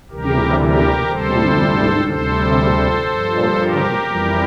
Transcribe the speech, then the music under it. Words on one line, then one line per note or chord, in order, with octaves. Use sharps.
The inhabitants of the commune are known as "Bazocains" or "Bazocaines".
D2 C3 E3 G3 G4 A#4
G4 A#4
D2 C3 G3 A4 C5
D2 C3 G3 A4 C5
G2 F3
G4 A#4
F2 E3 G3